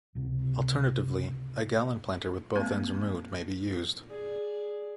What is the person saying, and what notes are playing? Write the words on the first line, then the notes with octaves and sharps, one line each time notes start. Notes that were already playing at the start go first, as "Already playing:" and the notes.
Alternatively, a gallon planter with both ends removed may be used.
C#2 C3
G#3 A#3 C4
G#4 D5